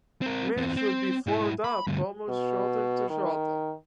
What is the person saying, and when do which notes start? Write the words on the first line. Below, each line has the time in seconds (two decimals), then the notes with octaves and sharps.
Men should be formed up almost shoulder to shoulder.
0.22 C4 A#4
0.57 E2 C4
0.76 C4
1.27 G#2 E4
1.64 B5
1.87 D2 G2
2.29 B2
3.10 D#3